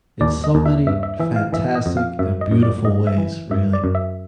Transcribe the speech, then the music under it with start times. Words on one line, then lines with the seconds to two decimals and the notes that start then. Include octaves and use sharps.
In so many fantastic and beautiful ways, really.
0.21 D#2 D5
0.44 D#5
0.55 D#2
0.66 E5
0.87 G2 E5
1.03 E5
1.20 E3 E5
1.36 F5
1.53 E3 E5
1.75 D#5
1.86 F2
1.97 F5
2.19 F#2 E5
2.41 D#5
2.51 F#2
2.63 D5
2.84 G2 D#5
3.07 E5
3.18 E3
3.51 F#2 E5
3.73 D5
3.84 F#2
3.95 E5